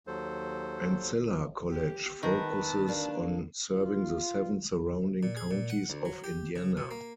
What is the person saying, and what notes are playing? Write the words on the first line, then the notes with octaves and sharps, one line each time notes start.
Ancilla College focuses on serving the seven surrounding counties of Indiana.
D#2 F#3 A4 C5
G4
D#3 A#4 B4 A5
A#3 D4
F4
A#2
G#4
A#2
F#5
D2
F#3
G4
C#3
B2
A#3